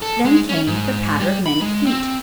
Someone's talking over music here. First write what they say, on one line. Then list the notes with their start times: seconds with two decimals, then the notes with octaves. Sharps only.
Then came the patter of many feet.
0.02 A4
0.25 G#3
0.49 C#4
0.67 G#2
1.20 G3
1.46 B5
1.61 G#3
1.86 C4